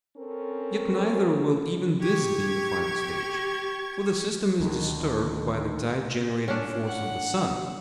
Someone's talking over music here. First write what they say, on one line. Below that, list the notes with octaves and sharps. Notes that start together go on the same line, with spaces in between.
Yet neither will even this be the final stage; for the system is disturbed by the tide-generating force of the sun.
C4 C#4 A4 A#4
G4 C#6 G#6
D2 D#3
C#4 D4
F#5